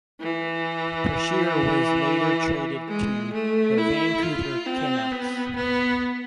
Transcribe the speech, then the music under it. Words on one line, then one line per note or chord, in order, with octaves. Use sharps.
Brashear was later traded to the Vancouver Canucks.
E3
G#3
A3
E4
F4
C4
B3
B3